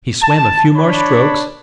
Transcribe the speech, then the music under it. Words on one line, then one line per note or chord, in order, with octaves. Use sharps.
He swam a few more strokes.
A5
D4 C#5 B5